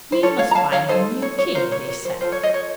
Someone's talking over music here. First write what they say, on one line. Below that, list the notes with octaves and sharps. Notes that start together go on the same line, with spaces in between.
"We must find a new king," they said.
C5
C#4 A4 C#5
C#5 F5
A#5
F5 A5
C#5 F5
D#4 A4 C5
C#5
C#5
F4 A#4 C5
C#5
C#5
C5
F4 A4 C5
C#5
C5 D#5
C#5